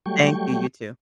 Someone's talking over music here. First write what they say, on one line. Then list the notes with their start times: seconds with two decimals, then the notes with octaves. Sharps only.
Thank you, you too.
0.06 F#3 G3 A3 G5 C#6